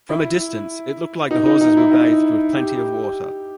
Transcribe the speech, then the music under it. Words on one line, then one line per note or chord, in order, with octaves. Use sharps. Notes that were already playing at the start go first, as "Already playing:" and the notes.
From a distance, it looked like the horses were bathed with plenty of water.
E4
D#4
D#4
D#4
E4
D#4
G4